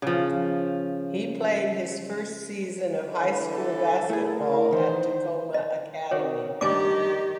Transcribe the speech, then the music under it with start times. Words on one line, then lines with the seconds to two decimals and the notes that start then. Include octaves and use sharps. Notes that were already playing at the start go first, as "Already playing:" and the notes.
He played his first season of high school basketball at Takoma Academy.
0.02 C#3 F3
3.02 D3 E3
3.55 A4
4.10 A3 E4 G#4 A#4
4.72 D#3 E3 C5
5.54 D#5
6.11 D#3 F#4 C#5 D5
6.61 G2 D#3 G4 D5 G#5 D6